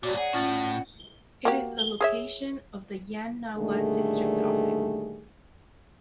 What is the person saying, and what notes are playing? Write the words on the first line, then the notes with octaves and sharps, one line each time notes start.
It is the location of the Yan Nawa District Office.
G2 A#2 F#4 C#5 D5 A#5
G#4 D5 F#5
A2 C#4 F4 A6
A#3 F#4 G4
G#4 C#5 E5
A#2 D3 D#3 G3 A3 G#4